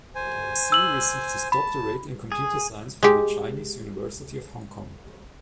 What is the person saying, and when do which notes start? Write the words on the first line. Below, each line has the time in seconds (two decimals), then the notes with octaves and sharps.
Xu received his doctorate in computer science from the Chinese University of Hong Kong.
0.15 C5 G#5
0.72 E6 F#7
1.52 A5 B5
2.32 G#4
3.03 G#3 G4